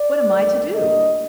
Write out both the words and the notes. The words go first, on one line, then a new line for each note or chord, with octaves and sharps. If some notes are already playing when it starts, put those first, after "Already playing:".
"What am I to do?"
Already playing: D5
G2 D#3 A3
A2 G3 A#3 D4 D#5